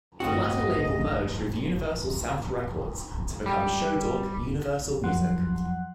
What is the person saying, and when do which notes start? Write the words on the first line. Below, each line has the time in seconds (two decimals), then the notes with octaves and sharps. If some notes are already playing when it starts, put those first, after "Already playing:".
The latter label merged with Universal South Records to become Show Dog-Universal Music.
0.20 G1 A2 A3 C4 F#4 D#5
3.46 G3
5.04 F2 F3 F#3 F#5 C6 F#6